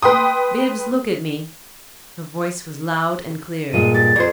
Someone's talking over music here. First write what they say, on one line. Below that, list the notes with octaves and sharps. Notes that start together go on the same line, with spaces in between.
"Bibbs, look at me!" Her voice was loud and clear.
B4 G5 C6 D#6
G2 A#2 G#3 D#7
G4 A6
F2 C5